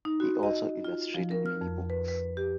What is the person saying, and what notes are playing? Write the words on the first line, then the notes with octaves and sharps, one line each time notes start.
He also illustrated many books.
D#4
F#4
D#5
F4
F3
A#4
F6
F2
B4
B4
G4